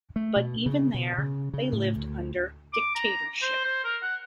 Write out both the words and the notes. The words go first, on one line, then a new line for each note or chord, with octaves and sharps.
But even there, they lived under dictatorship.
A3
B2
C#3
B2
C#3
C#3
A2
D2
D6
A#5
C5
C5
A#4
F#5